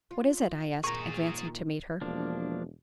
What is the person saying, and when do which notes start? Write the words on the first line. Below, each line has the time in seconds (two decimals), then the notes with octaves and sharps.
"What is it?" I asked, advancing to meet her.
0.11 F4
0.84 A#2 D#3 G#4 A#5 C#6
2.01 E1 F3 A#3 D4